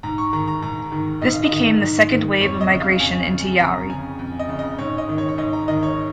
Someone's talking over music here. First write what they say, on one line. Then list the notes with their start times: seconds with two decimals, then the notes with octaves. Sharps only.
This became the second wave of migration into Yauri.
0.03 G#2 A#5
0.18 C#6
0.33 D#3 A#5
0.48 A#5
0.62 G#2 A#5
0.92 D#3
1.22 G#2 D#5
1.33 F5
1.44 D#5
1.52 D#3
1.81 G#2
2.11 D#3
2.41 F2 C#5
2.61 D#5
2.71 C#3
2.80 F5
3.00 F2 G#5
3.30 C#3
3.60 F2 A#5
3.89 C#3 G#5
4.19 F2
4.39 D#5
4.49 C#3
4.59 D#5
4.79 G#2 C#5
4.98 D#5
5.09 D#3
5.18 C#5
5.29 C#5
5.38 G#2 D#5
5.53 A#5
5.68 D#3 D#5
5.83 C#5